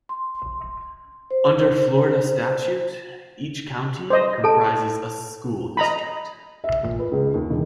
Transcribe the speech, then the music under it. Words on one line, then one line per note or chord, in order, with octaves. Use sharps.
Under Florida statute, each county comprises a school district.
C6
C5
C5 D#5
A4 A5
D#5 A#5 B5
E5
A#2
B4
C#2
D#2
E1